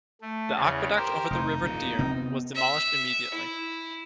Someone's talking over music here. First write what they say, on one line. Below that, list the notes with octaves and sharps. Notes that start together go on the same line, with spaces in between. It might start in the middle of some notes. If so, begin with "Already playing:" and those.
The aqueduct over the River Dearne was demolished immediately.
A3
E2 C#3
G4 A#4 C5
F1 D#4
E2 A#2
C3 B3 C4
E5
E4